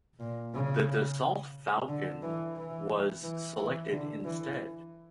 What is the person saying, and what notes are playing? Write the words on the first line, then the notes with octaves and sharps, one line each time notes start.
The Dassault Falcon was selected instead.
A#2
C#3
D3
E3
E3
E3
E3
D3
E3